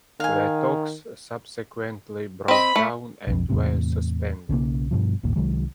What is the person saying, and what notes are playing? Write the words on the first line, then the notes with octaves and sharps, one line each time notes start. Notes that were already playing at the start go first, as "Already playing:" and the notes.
The talks subsequently broke down and were suspended.
D#3 F5 G#5
C4 D#5 B5
A3
B1 F2
E2 A2 C3
B1 C#3 F3 A#3
G2 B2 F3
G#1 D#2 A#2
C2 D#3 F#3 G#3